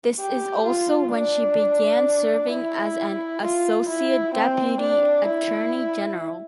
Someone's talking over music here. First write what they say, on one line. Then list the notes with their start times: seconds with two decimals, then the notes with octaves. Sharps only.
This is also when she began serving as an associate deputy attorney general.
0.20 G4
0.66 F4
1.12 D4
2.50 E4
3.43 F4
3.88 E4
4.35 C4
4.81 D4
5.27 E4